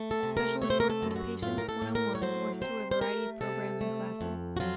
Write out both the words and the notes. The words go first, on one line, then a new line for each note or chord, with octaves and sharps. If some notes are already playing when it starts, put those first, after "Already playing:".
Specialists work with patients one-on-one, or through a variety of programs and classes.
Already playing: A3
A4
C3
A#4
A3 C#5
C5
A#4
A4
F#2
A4
F#4
A2 F4
A#4
A4
A2
A#4
C#5
F#3 C5
C3 C5
C5
A3 A#4
C3 A4
A3
F2
F#4
F#3 F4